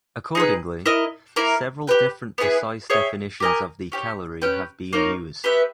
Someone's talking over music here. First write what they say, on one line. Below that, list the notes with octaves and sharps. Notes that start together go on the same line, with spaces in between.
Accordingly, several different precise definitions of the calorie have been used.
D#4 G#4 B4
E4 A#4 D#5
A#3 E4 A#4
G4 B4 G5
B3 E4 G#4 B4
G#4 C#5 E5 G5
G4 A#4 D#5 G#5
C#4 G4 C#5
C#4 G4 B4 G5
A#3 D#4 A#4 C#5
B3 G4 B4 E5